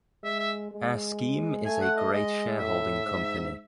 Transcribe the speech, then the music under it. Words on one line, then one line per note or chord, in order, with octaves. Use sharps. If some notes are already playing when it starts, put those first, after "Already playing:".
Our scheme is a great shareholding company.
G#3 E5
E5
G#3
A3 G#5
F#5
D#5
G#3 D#5
A2 E5
G#2